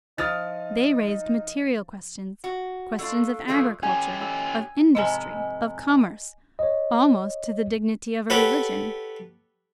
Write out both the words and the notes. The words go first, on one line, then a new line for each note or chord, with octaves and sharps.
They raised material questions, questions of agriculture, of industry, of commerce, almost to the dignity of a religion.
F3 D#4 D#6 F6 A6
F#4
A3 D4 F4
A#2 F3 A3 D4 F4 G#4
C#4 G4 G#5
E6
F2 G#2 C3 D#5 G#5
C#5 D#5
G4 A4 B4 C#5 F#5